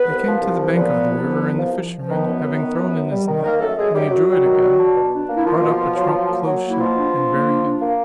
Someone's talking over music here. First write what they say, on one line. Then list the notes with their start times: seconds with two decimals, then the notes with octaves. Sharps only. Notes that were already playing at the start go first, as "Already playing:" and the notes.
They came to the bank of the river, and the fisherman, having thrown in his net, when he drew it again, brought up a trunk close shut, and very heavy.
Already playing: B3 B4
0.08 C2
0.25 F3
0.42 C2
0.59 F3
0.75 A#2 B3 B4
0.92 F3
1.09 C2
1.26 F3
1.42 C2
1.58 F3
1.76 F3
1.92 F3
2.09 D#3 B3 B4
2.26 F#2
2.43 F#2
2.60 D#3
2.77 F#2
2.93 F#2
3.10 G3
3.27 D#3
3.44 D#3 A#3 A#4
3.60 F#2 A3 A4
3.77 F#2 G#3 G#4
3.94 F#2 G3 G4
4.11 F#2 F#3 F#4
4.28 G3
4.44 D#3
4.61 G3
4.78 D4
4.95 B2
5.12 D4
5.28 A#3
5.37 E4
5.45 F3 A#3 F4
5.62 B2
5.79 B2
5.96 F#3
6.13 F#3
6.29 A#3
6.45 F#3
6.62 A#3
6.70 E4
6.79 B2 F3 F4
6.97 D4
7.13 D4
7.30 A#3
7.46 D4
7.64 D4
7.80 A#3